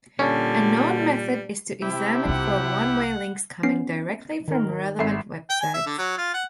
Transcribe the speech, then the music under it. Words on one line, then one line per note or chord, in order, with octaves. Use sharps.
A known method is to examine for one-way links coming directly from relevant websites.
A#2 D3 G3 C#4
C3 E4 G4
C2 F4 F#5
B3 C#4 C7
D#3 A#4
G#1 E5 C7
G5
G#5
E5
D3
F#3
F4
F#5